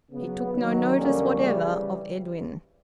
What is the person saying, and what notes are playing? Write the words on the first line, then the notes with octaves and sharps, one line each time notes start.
He took no notice whatever of Edwin.
C#3 F#3 B3
D#2 D#3 F#3
F2 D3 G3 A#3 C#4
C#3 E3 G3